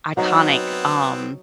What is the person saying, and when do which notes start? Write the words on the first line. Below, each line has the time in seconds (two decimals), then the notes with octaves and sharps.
iconic, um.
0.17 F#3 B3 C4 D#4